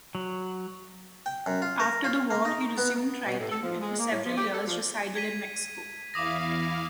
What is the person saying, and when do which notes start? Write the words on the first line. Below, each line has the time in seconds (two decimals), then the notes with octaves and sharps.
After the war he resumed writing, and for several years resided in Mexico.
0.15 F#3
1.26 G5
1.46 F#2
1.62 F4
1.80 A#4
2.04 F4
2.30 A#3
2.45 D#4
2.78 B3
3.09 B3
3.25 B2
3.39 A2
3.51 A4
3.63 F3
3.81 G#3
3.99 A#3
4.12 A2
4.25 F3
4.37 G4
4.52 A4
4.67 F3
5.15 G#6 B6 D#7
6.14 E2 E4 F5 D6 D#6 A#6